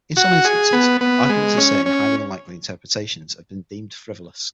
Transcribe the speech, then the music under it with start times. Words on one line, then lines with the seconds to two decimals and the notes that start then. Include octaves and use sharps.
In some instances, arguments asserting highly unlikely interpretations have been deemed frivolous.
0.17 F#4
0.45 G#4
0.73 B3
1.01 B3
1.29 G#3
1.57 C#4
1.86 C#4